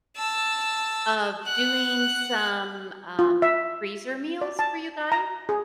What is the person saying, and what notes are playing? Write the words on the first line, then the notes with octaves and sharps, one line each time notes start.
of doing some, um, freezer meals for you guys?
A5 E6
F#5 F#6
F4
E5
D5
A5
A#5
G#4